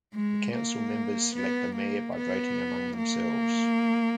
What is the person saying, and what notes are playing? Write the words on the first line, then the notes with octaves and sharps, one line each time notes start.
The council members select a mayor by voting among themselves.
G#3
A#3
B3
A#3
B3
A#3